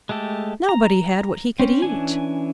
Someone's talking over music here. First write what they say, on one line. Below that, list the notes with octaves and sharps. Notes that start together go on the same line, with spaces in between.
Nobody had what he could eat.
G#3 A3 G4 A4
A#5
C4 C#4
E3 C#4 D4 G#5